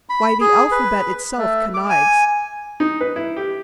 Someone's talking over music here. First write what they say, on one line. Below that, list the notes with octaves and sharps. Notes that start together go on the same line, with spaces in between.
Why, the alphabet itself connives.
B5
G#4
B4
A3
D6
G#5
D#4
B4
E4
G4